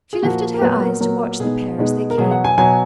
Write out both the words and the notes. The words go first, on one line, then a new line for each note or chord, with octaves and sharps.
She lifted her eyes to watch the pair as they came.
G#4
A#2 F3 A#3 F#4
A#4
A#2 F#3 B3 B4
A#4
A#2 F#3 B3 A#4
B2 G#3 B3 D#4 G#4
B2 G#3 B3 D#4
A#4
B2 F#3 B3 G#4
F#5
G#5
B2 F#3 B3 G#5